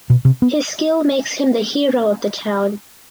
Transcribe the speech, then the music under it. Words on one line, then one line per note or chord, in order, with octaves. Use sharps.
His skill makes him the hero of the town.
B2
C3
B3